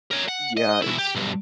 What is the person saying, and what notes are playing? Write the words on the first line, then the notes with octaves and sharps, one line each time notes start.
Yeah, its
A#4 C#5
F#5
D#5
B2 E4
G4
B1 G2